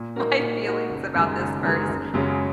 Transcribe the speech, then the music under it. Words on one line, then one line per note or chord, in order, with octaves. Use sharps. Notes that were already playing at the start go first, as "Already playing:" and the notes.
my feelings about this first,"
Already playing: A#2
A#3 D#4 F#4 A#4
A#2
A#3 D#4 F#4 A#4
F#1
F#2 D#3 G#3
F#1
F#2 D#3 G#3
F#1
F#2 C#3 G#3 C#4